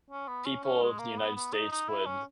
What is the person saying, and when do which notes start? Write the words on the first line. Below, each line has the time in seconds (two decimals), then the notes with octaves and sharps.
people of the United States would
0.10 C#4
0.28 B3
0.46 C#4
0.64 C#4
0.82 G#3
0.99 A#3
1.18 B3
1.35 B3
1.53 D#4
1.72 D#4
1.89 E4
2.06 C#4